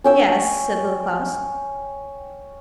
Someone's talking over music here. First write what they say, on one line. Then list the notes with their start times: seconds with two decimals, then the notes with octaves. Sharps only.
'Yes,' said Little Klaus.
0.04 C#4 G5 E6